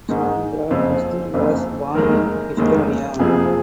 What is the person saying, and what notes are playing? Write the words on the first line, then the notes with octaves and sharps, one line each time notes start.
Sandra Kasturi was born in Estonia.
G#2 D#3 G#3 D#4
F#1 F2 C#3 C5
F#1 F2 C#3
F1 D#2 D#3 G#3 A#4
F1 D#2 D#3 G#3
F#1 F2 C3 F3 G#4